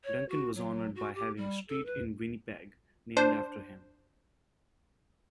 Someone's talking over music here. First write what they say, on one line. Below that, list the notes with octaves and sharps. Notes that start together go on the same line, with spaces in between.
Duncan was honored by having a street in Winnipeg named after him.
C#5
F#4
F#3
F#4
G4
G3
A4
B4
D4 C5